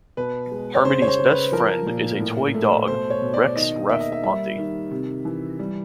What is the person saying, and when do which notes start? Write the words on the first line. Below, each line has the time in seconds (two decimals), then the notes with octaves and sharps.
Harmony's best friend is a toy dog, Rex Ruff Monty.
0.17 B2 B4
0.51 G#3
0.75 C#5
0.85 C#3 C5
1.02 C#5
1.08 C5
1.19 C#3
1.30 B4
1.52 F3 A#4
1.86 A#2
2.20 A2
2.54 A3
2.88 B2 C5
3.10 C#5
3.22 B2
3.34 D5
3.56 D#3 D#5
3.89 A#3 E5
4.00 D#5
4.12 E5
4.23 G3 E5
4.58 D#3
4.91 C3
5.25 E3
5.59 G3